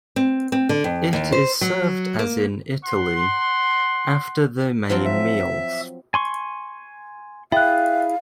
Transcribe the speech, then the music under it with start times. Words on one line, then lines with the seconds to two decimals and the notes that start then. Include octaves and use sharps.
It is served as in Italy, after the main meals.
0.16 C4
0.52 C4
0.69 D3
0.84 F2
1.13 D#2
1.32 C5
1.61 F#3
2.19 A#3
2.84 F#5 C6
4.90 F3 F#3 C4
5.05 E5
6.14 G#5 C6 C#6
7.52 E4 G#4 E5 F5 G5 F#6